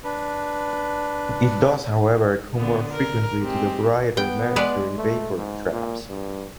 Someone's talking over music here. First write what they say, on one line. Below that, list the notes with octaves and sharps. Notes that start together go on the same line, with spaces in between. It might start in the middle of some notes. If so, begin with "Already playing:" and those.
It does however come more frequently to the brighter mercury vapour traps.
D4 B4
D3 B3
A#4
G#3 C4 G4
B3 G5
G#3 B4 D5
A3
G#2
A#2
G2